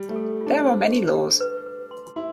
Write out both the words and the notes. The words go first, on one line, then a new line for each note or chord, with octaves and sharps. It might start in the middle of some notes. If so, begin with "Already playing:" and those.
There are many laws.
Already playing: G3
A3
A4
F4
D4
C5
G4
G4
B4
B4
C6
E4 C6